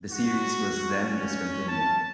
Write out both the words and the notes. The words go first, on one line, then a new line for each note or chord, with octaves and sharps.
The series was then discontinued.
F#4
C#4
A5